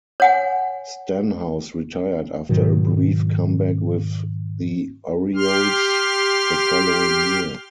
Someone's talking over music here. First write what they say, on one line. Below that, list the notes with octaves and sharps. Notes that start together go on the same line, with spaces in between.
Stanhouse retired after a brief comeback with the Orioles the following year.
C#5 F#5 G#5
G#2 B2 D#3 F#3
G4 C6 F6